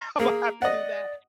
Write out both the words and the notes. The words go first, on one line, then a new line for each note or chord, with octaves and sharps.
imma have to do that.
A#3 G#4
D5 D#5 F#5